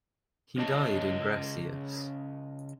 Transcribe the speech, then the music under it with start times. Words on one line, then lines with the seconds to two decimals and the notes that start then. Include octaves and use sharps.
He died in Gracias.
0.58 C#3 C#4 D#5 A5